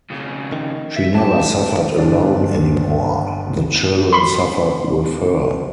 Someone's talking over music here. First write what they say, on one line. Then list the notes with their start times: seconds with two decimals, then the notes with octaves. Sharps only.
She never suffered alone any more: the children suffered with her.
0.11 F2 C#3
0.53 D#3
0.96 E5
1.15 F#2 F3 G4 A5
1.98 G1 D4 D5
4.13 B5 C6